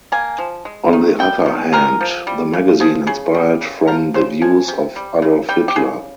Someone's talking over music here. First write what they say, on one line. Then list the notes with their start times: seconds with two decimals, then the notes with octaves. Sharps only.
On the other hand, the magazine inspired from the views of Adolf Hitler.
0.12 A#3 G#5
0.38 F3
0.65 G#3
0.93 D#3
1.19 G3 G5
1.46 D#3
1.73 G#3 A#4
2.01 F3
2.27 G3
2.53 C#3
2.80 F3 G#4
3.07 C#3 G#4
3.34 G3
3.61 C#3
3.87 F3 A#4
4.14 C#3 C5
4.42 F3 G#5
4.68 C3
4.96 G3
5.22 C#3
5.49 G3 G5
5.68 G4
5.76 C#3 G#4